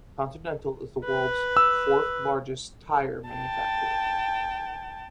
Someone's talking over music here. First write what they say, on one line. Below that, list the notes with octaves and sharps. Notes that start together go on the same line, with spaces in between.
Continental is the world's fourth-largest tyre manufacturer.
B4
E6
G5 A5